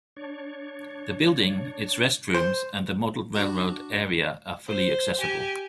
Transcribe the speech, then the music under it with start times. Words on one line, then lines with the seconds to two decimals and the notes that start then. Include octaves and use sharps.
The building, its restrooms, and the model railroad area are fully accessible.
0.16 D4 C#5
2.34 C5
3.34 D4 F#4
4.67 C5
5.19 G4 G#5